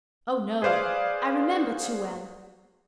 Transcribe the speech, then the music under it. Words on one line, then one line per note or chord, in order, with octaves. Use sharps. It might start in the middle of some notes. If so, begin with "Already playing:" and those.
Oh, no! I remember too well.
G#4 B4 C5 D5 F5